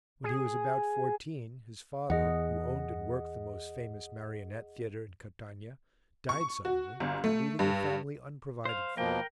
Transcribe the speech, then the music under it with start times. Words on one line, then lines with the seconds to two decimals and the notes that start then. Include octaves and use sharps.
When he was about fourteen his father, who owned and worked the most famous marionette theatre in Catania, died suddenly, leaving the family unprovided for.
0.24 G#4
2.10 E2 G#4 D#5 F#5
6.29 C#6
6.65 F#4
7.00 G1
7.24 A3
7.59 G2
8.65 C5 F5
8.97 B2 F3 A#3 A#4 G5